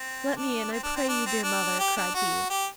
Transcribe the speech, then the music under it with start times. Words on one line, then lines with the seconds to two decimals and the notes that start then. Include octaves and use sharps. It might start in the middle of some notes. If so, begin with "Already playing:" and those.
'Let me in, I pray you, dear mother,' cried he.
Already playing: C4
0.37 D4
0.72 C4
0.83 D4
0.96 C4
1.08 D4
1.26 C4
1.43 D4
1.79 G4
1.97 D4
2.15 F#4
2.50 G4